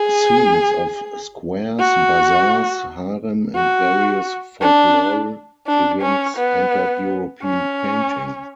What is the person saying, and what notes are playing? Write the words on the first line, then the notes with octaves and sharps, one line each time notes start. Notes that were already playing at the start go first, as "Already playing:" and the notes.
Scenes of squares, bazaars, harem and various folklore events entered European painting.
Already playing: G#4
F#4
F#4
D4
D4
C#4
B3
C#4